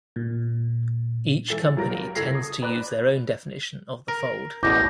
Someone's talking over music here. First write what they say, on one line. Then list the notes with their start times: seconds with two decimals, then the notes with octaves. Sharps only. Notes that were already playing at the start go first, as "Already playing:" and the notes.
Each company tends to use their own definition of the fold.
0.16 A#2
1.49 E3 A4 A6
1.76 C#2 F#3 G3 A#4 A#6
2.15 F#1 A4 G#6 A#6 C7
2.35 D#6
2.62 B4 D5 A#5 D6 F#6
4.08 A#4
4.63 A1 E2 B2 D6 G6 A#6